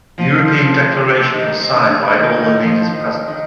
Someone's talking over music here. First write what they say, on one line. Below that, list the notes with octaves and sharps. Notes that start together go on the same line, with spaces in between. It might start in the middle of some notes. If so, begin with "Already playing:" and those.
The Europe Declaration was signed by all the leaders present.
F3
D#3
C3
D#3
D3
D#3
D#3
F3
D#3
D#3